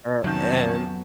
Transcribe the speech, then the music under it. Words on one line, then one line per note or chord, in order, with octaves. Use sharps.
a and
C2 F2 D#3 F#3 B3 C#4 A5 G6